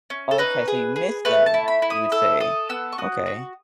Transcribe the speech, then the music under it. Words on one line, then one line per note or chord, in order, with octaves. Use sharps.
Okay, so you missed them, you would say, okay.
C#4
A4
D#4 B4
G#4
G#4
A3 B4
A5
E4
B5
E4
D#6
A4 E6
A4 D#6
B3 E6
C#6
F#4 D#6
F#4